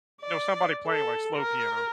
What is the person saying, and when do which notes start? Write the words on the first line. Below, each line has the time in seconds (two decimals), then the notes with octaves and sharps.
know, somebody playing, like, slow piano.
0.22 D5
0.87 A4
1.36 A#4